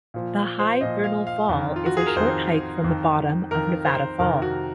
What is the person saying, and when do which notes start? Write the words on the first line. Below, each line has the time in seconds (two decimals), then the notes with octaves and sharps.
The high Vernal Fall is a short hike from the bottom of Nevada Fall.
0.14 A#2 F3
0.59 C5
0.81 A#2 F3 D#5
1.04 F5
1.27 F5
1.49 F2 D#3
1.76 F4
1.86 F#4
1.97 G#4
2.07 A#4
2.17 F2 D#3 C5
2.84 F2 D#3
3.51 F2 D#3 A#4
3.85 C5
4.19 F2 C3 D#3 A#4
4.42 F#4